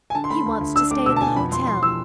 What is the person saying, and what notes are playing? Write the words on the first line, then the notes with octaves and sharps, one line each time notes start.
He wants to stay at the hotel.
G#5
D3 A5
C6
A3 B5
D2
D2
D4 E6
A3 D6
B2 E6
A5
B2 G#5
F2 B5
F2 C6
F2 C6
E3 E6